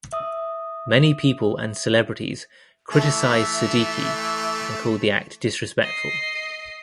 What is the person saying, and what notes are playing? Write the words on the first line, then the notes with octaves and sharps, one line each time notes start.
Many people and celebrities criticized Siddiqui and called the act disrespectful.
E5 D#6
E3 A3 E5
D#5 C7